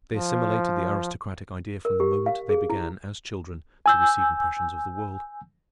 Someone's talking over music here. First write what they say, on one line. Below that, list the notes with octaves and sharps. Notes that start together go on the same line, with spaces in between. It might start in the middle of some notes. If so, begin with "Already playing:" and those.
They assimilated the aristocratic idea from the moment they began, as children, to receive impressions of the world.
F3
A#4
G4
F5
G#4
E4
G#5 E6 G6